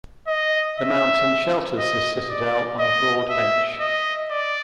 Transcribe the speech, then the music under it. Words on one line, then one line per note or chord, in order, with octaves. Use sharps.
The mountain shelters this citadel on a broad bench.
D#5
E5
D#5
D5
D#5
E5
D#5
D5